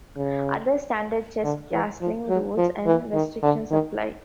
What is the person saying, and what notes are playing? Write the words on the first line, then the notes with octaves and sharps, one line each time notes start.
Other standard chess castling rules and restrictions apply.
C#3
D3
E3
F3
F#3
F3
E3
D#3
D3
D#3